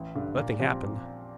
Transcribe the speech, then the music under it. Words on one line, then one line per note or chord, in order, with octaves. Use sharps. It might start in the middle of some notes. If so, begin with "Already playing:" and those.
Nothing happened.
Already playing: A1
G2 D3
A#2
F3 C4 G4